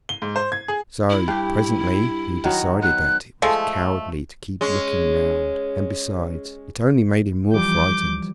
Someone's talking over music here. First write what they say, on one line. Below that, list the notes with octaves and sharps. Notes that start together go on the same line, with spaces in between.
So presently he decided that it was cowardly to keep looking round, and besides, it only made him more frightened.
G7
G#2
C5
G#6
G#4
E4
G2 G4
D#3 F#3 D#5
B3 F#6
F3 G#3 A3
G#3 C#4
E3 F3 G3 D6 G6